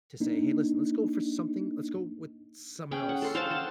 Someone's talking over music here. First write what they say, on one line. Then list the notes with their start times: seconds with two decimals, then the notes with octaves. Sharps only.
to say, "Hey, listen, let's go for something let's go with someone else,"
0.20 A#3 D4 D#4
2.92 C#4 G#4 G5
3.09 F#5
3.22 A4 C6
3.35 C5 F5 G5 A5
3.50 F#5 A5